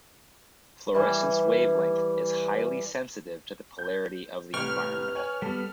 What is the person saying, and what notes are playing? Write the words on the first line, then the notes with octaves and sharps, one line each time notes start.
Fluorescence wavelength is highly sensitive to the polarity of the environment.
E3 G3
G6
C2 A2 B4 G5 C#6 F6
C#5 G#5 F#7
G3 B3 A4